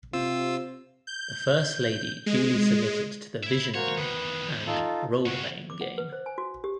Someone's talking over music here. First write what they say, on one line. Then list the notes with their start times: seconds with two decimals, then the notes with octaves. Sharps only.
The First Lady duly submitted to the "visioning" and "role-playing" game.
0.13 C3 C4 F4 E6
1.07 G6
2.26 G#3
3.43 E4 E5
3.74 A#3 F#4 C5 C#5
3.98 E2 D#3 B4 D#6
4.67 D#4 F4 A4
5.26 G2 C#3 F#5 C#6
5.70 D6
5.81 F#5
5.98 B4
6.13 C5
6.26 G#5
6.38 F#4
6.64 G4